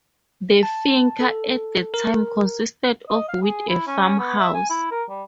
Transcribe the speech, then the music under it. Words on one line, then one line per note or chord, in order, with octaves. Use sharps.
The "Finca" at the time consisted of with a farmhouse.
A5
A4
A#4
D#5
F5
G#4
E4
C#4
B3
E5
G#5
E4
A#4
G3